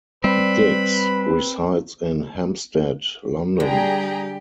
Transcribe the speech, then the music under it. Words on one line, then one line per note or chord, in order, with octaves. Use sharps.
Dicks resides in Hampstead, London.
G3 C4 B4 B5
D3 G3 G4 G#4 G5 A#5